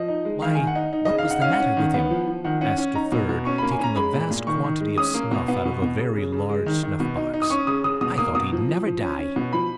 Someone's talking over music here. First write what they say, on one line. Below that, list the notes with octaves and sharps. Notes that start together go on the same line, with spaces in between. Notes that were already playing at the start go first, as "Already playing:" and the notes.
"Why, what was the matter with him?" asked a third, taking a vast quantity of snuff out of a very large snuff-box. "I thought he'd never die."
Already playing: F3 D#5
D#4
G#3
D#3 F5
G#5
D#3
F#5
D#4
D#4
D#5
C#3
F5
D#4 F#5
C#4 F5
F#5
C#4
D#3
B3
F3
F3
D#3 F#5
C#4 F#5
C#4
D#4 A#5
B2
B2
C#4 C#6
B5
A#3
G#5
C#4 A#5
G#3 B5
A#2
A#2
D#3 C#6
D#3
G#3
C#4 D#6
A#3
B2
B3
B2
B2
C#3
C#3
C#3
G#3
D#3
D#3
B2
D#4
D#4
D#6
C#4 C#6
C#3 D#6
C#3 D#6
B2 D#6
A#3 D#6
B2 D#6
F3
F3
F3
C#4
C#4
B2
F3 B5